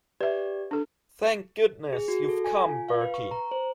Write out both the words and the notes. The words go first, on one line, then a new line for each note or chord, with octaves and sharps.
Thank goodness you've come, Bertie.
G4 B4 D5 E5
D4 A4
G#4
F#4
A4
G#5
F4
F5
B4
C#6
A#5
C5